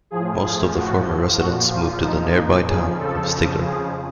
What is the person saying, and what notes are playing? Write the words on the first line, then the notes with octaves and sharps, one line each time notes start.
Most of the former residents moved to the nearby town of Stigler.
A2 F3 G#4
G#4
F#4
A#2 F3 F#4
F4
D#4
D#4
F2 C#3 F3 G#4
A4
G#4